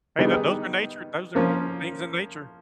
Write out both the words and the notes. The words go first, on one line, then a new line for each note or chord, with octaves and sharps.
Hey, that those are nature those are things in nature.
D#3 G3 B3 D#4 G#4
F3 A#3 C#4 F4